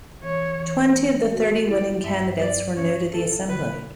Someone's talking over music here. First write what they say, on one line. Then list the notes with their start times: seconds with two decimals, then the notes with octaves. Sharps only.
Twenty of the thirty winning candidates were new to the Assembly.
0.23 E3 C#5
0.60 E3
0.96 B3
1.32 F#4
1.68 E4 D5
2.04 G2 E5
2.40 F#3 D5
2.76 C#4 C#5
3.13 E4 A4
3.49 D3 B4